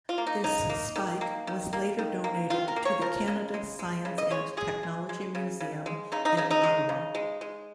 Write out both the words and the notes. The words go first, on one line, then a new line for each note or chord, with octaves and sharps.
This spike was later donated to the Canada Science and Technology Museum in Ottawa.
F4
A#3
D#4
C#3 D#4
A#3
D#3
A#3
D#3
A#3
D#3
A#3
D#3 F4
A#4
A#3
C#5
F3 A#4
C#3
G#3
G#3
C#3
D#5
G#3 C#5
G#3 G#4
G#3
G#3
C#3
C#3
G#3
C#3 D#4
D#4
C#3 D#4
D#4
G#3
C#3
G#3
G#3